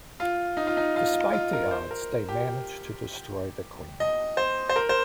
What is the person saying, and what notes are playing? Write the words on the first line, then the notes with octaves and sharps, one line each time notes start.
Despite the odds, they manage to destroy the Queen.
F4
D#4
F4
D#4
F4
F4
A#4
C5
A#4
G4
D#5
C5
C5
A#4
C5